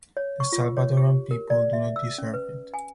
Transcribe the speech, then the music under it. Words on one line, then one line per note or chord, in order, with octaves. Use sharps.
The Salvadoran people do not deserve it.
C#5
C#6
F4
C#5
G4
A#4
D5
E5
E6
C#4
B4
G#5